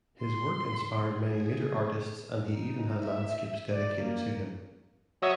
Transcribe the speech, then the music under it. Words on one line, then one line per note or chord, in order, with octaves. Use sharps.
His work inspired many later artists and he even had landscapes dedicated to him.
C6
G#4
D#4
E5
D5
A#3
F#3 C#5 D#5 E5